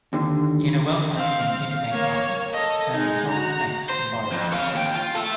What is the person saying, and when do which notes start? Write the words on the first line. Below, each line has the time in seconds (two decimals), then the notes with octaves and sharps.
In a well-functioning interbank market only solvent banks can borrow.
0.13 D#2 D3
1.14 C4 F5
1.53 F5
1.92 A#3 C#5
2.53 A4 D#5
2.94 G#3 D#4
3.29 F#4 A#5
3.90 C5
4.32 F2
4.53 C#5 F5
4.74 D#2 G5
4.96 F4
5.15 A4 E5